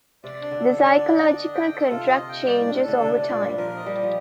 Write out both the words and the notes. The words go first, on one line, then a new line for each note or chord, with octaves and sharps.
The psychological contract changes over time.
C3 D5
D4
D3
A4
D3 D4
D5
D4
D#5
G5
A4
C3 F4
D#5
G5
G2 D5
A2 D4
C3
D3 A4
C3 D4
C3 D5
A#2
G3 D4
F3 A#4
D#5
G3
G4
F3